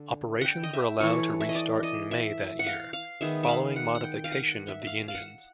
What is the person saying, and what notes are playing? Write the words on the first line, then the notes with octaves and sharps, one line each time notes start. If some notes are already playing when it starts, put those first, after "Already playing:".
Operations were allowed to restart in May that year, following modification of the engines.
Already playing: D3
F#5 G5
D#5
E5
E3 A3 C#5
E5
D#5
D5
D#5
E5
F#5
F5
F5
D#3 G#3 B3 E5
E5 F5
F#5
F#5
G5
F5
F#5
E5
F5
F5
F#5